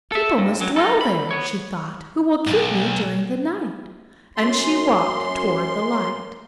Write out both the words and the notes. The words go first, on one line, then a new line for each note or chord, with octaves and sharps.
"People must dwell there," she thought, "who will keep me during the night"; and she walked toward the light.
A4 E5
G2
F#2 F#3
D#4 A4
B5
B3 C#5
B1 G#2
F#2 C6